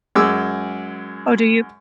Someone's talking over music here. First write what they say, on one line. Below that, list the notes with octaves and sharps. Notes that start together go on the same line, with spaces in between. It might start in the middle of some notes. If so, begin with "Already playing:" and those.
Oh, do you?
F#2 G#3 D6 E6